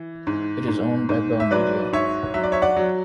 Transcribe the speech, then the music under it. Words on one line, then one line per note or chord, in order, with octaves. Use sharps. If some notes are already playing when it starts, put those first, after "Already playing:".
It is owned by Bell Media.
Already playing: E3
G#2
G#2
G#2
E5
F#3 B4 D5
G#2 C#5 E5
F#3 E5
D5
C#5 E5
D5 F#5
F#3